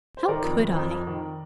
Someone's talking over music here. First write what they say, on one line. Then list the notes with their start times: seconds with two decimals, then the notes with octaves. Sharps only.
How could I?
0.17 C5
0.28 D#3 A#4 D5
0.44 F2
0.60 C4
0.76 F2
0.91 F2
1.07 D#3